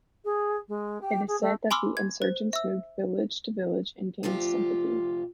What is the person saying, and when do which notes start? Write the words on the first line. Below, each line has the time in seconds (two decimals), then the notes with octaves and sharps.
It is said that the insurgents moved village to village and gained sympathy.
0.24 G#4
0.68 G#3
1.01 G4
1.28 G#4
1.41 A3
1.71 G#5 B5 C6 D6 E6 F6
1.97 G#6
2.22 C5
2.53 E5 E6
4.23 D2 C3 F3 F4 G4